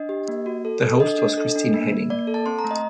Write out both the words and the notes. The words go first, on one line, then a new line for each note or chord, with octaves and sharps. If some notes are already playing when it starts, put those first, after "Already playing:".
The host was Christine Henning.
Already playing: D4 D#5
G4
A#3
F#4
A4
A4
D4 D#5
D4
A4
D4
A#3
A#3
A#3 D5
A4
A5
C4 C6
A#5
A3
D#5